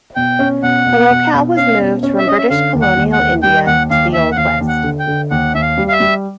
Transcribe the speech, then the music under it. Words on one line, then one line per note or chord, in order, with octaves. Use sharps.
The locale was moved from British-colonial India to the old West.
B2 G5
C#4
B2 F#5
B2
B2
B2
C#4 F5
B2
C#4
E5
C#4 D#5
E5
D3 F5
D#2
F#5
D#2
F#5
D#2
G3 G5
D#2 F#5
D#2 F5
D#2 E5
F#5
D#2 F5
D#2
F#5
D3
G5
D3
D#2 F#5
D#2 E5
F5
G3
F5
E5
G3